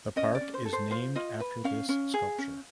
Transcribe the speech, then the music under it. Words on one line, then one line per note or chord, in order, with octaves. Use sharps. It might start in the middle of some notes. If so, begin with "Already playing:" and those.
The park is named after this sculpture.
C#4 D#5
D5
C#4
C5
A4
C5
F4 C5
F4 D#5
B4
C#4 F5
C#4
G#4
C#4